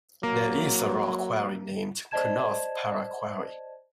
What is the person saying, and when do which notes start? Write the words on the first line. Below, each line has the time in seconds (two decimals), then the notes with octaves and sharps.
There is a rock quarry named "Kunnoth Para Quarry".
0.23 F#3 A#3
2.11 C5 D5 D#5 A5 G#6 E7